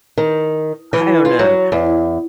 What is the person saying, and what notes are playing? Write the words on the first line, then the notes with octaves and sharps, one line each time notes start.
I don't know.
D#3
E3
F4
F#3
E2